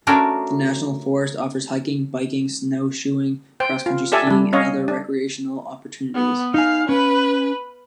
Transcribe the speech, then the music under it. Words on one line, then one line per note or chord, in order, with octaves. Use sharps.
The national forest offers hiking, biking, snowshoeing, cross country skiing, and other recreational opportunities.
A3 C#4 D4 F#4 A#4
C5 G5
F4
G4 A4 D5 E5 G#5 A5
G3 D4
C#4 C#5 D#5 F5
D4
B3
D#4 F5 G#5
C#4 B4